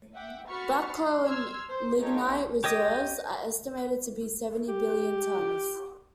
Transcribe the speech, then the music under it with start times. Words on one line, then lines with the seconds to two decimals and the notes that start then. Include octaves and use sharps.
Black coal and lignite reserves are estimated to be seventy billion tons.
0.14 E5 F#5 G5 D6
0.48 F#4 B5 C#6 F6 A6 C#7
0.94 C6
1.25 C6 E6 F6 G#6
1.69 C5
2.01 D#4 F4 G4 A4 C#5
2.64 G4 C#5 D#5 D#6
4.68 G4